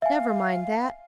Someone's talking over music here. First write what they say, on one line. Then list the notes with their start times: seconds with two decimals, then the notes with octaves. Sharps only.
'Never mind that.
0.02 E5 F5 G#5